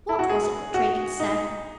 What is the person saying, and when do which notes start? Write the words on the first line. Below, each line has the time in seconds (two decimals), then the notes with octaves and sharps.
What was it that Drake had said?
0.09 E4
0.19 F#4
0.30 G#4
0.74 F#4
1.20 D#4